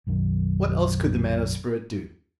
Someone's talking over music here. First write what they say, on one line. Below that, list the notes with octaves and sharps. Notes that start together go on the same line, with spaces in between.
What else could the man of spirit do?
B1 F#2 D#3